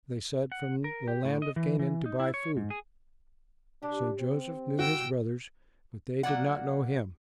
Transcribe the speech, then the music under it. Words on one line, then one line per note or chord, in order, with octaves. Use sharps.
They said, "From the land of Canaan to buy food." So Joseph knew his brothers, but they did not know him.
F#5
A#4
G4
A2
D#5
E3
E3
D#4
E4
C#5
G#2
G#4
C3 D4 G4
C4
G2 C3 E3 F#4 G5 E6
F#3 A#3 D5 F#5